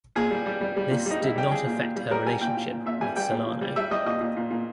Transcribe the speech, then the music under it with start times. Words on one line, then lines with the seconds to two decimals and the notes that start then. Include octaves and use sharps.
This did not affect her relationship with Solano.
0.16 A#2 G#4
0.31 G3
0.46 G3
0.61 G3
0.76 G3
0.91 A#2
1.06 G3 D#4
1.21 G3 E4
1.36 G3 G4
1.51 G3 G#4
1.66 A#2
1.80 A#2
1.96 G3
2.11 G3 A#4
2.26 G3 G#5
2.41 A#2 G5
2.57 A#2
2.71 A#2
2.86 A#2 E5
3.01 G3 G#5
3.16 G3 G5
3.31 A#2
3.47 A#2
3.61 G3
3.76 G3 E5
3.91 G3 D#5
4.06 A#2 D#5
4.21 A#2
4.37 A#2
4.51 A#2